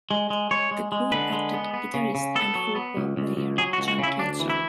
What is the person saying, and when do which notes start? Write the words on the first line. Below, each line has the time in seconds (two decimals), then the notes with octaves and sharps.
The group added guitarist and football player Chan Kinchla.
0.11 G#3
0.30 G#3
0.51 G#3 C#5
0.71 G#3
0.92 G#3
1.12 D3 B4
1.33 G#3
1.54 B3
1.74 B3
1.94 C#3
2.15 C#3
2.35 B3 A4
2.55 F#3
2.75 B3
2.97 C#2
3.17 C#2
3.37 C#2
3.58 F#3 G#4
3.73 F#4
3.78 C#2
3.88 F#4
3.99 C#3 E4
4.19 D2 D4
4.40 E3
4.50 E4